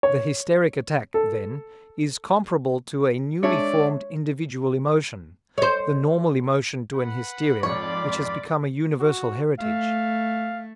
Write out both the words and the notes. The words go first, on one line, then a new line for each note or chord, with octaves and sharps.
The hysteric attack, then, is comparable to a newly formed individual emotion, the normal emotion to an hysteria which has become a universal heritage.
C#5
A4
G#3 D4 C#5 D5 E5
C5 C#5
B4 F#5 B5
F2 G#2 F4 C#5 D5 B5
F#4
A3 F5